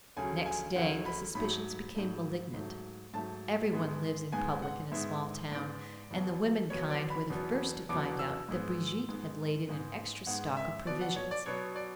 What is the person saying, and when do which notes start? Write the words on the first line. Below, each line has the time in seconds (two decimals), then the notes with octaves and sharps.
Next day the suspicions became malignant. Everyone lives in public in a small town, and the women-kind were the first to find out that Brigitte had laid in an extra stock of provisions.
0.17 D2 C#3 F#3 G#5
0.46 G#5
0.76 D2 C#3 F#3 F#5
1.06 B5
1.35 G#2 F#3 A3 B5
1.95 G#2 F#3 A3
2.54 G#2 F#3 A3
3.14 G#2 F#3 A3 A5
3.73 G#2 G#3 B3
4.32 G#2 G#3 B3 G#5
4.62 F#5
4.92 G#2 G#3 B3 E5
5.51 G#2 G#3 B3 D5
6.11 E2 B2 F#3 B3
6.70 E2 B2 F#3 B3 C#5
6.90 D5
7.10 B5
7.30 E2 B2 F#3 B3
7.89 E2 B2 F#3 B3 D6
8.19 E6
8.49 G#2 G#3 B3
9.09 G#2 G#3 B3
9.68 G#2 G#3 B3
10.27 G#2 G#3 B3 F#5
10.57 E5
10.86 B2 F#3 B3 D5
11.01 F#5
11.16 C#5
11.31 D5
11.46 B2 F#3 B3 C#5
11.76 D5